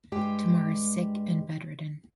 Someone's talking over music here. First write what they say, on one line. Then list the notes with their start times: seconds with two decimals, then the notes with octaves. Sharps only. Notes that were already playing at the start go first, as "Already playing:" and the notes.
Tamar is sick and bedridden.
0.12 G2 G#3 G4 G5